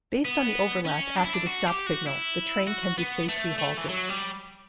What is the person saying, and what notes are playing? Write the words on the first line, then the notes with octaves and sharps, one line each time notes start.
Based on the overlap after the stop signal the train can be safely halted.
B3
C#4
D4
E4
D4
F#4
G4
F#4
E4
F#4
B3
A3
A3
E3
F#3
G3